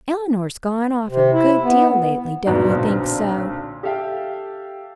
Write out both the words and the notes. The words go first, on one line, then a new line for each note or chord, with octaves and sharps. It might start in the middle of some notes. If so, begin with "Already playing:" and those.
Eleanor's gone off a good deal lately, don't you think so?
C3
E4
B3
E2 G#2 B2 F#3 B3 D4
B1 A#2 D3 C4
G4 A4 E5 F5 G5